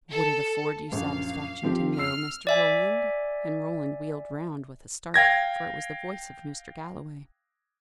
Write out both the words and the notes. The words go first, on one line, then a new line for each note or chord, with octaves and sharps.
"Would it afford you satisfaction to know, Mr. Roland?" and Roland wheeled round with a start, for it was the voice of Mr. Galloway.
A4
A#1 F#2 F5
F3 C4 G4
E6 F6 C7
D5 E5 G#5
F5 G5 G#6 A#6